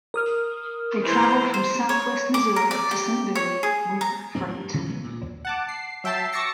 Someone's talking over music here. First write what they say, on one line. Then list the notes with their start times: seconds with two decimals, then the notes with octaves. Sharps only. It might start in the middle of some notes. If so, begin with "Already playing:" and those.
They traveled from southwest Missouri to Saint Louis with freight.
0.14 A#4 D#6 F6
1.04 E3 C5 A#5
1.54 C5
1.89 C#5
2.34 D6
2.56 A#4
2.71 D5
2.91 G4
3.35 C#5
3.63 G#4
4.01 A#5
4.35 D#2 A#2 A#3 C4
4.48 G2
4.74 C3 E3 F#3 C#4
4.88 C#2 F#3 B3
5.03 D2 A#2
5.45 F#5 A5 D6
5.68 C7
6.04 F#3 E5 G5 A5 C7
6.33 C#6 D6 E6 A6 A#6 C#7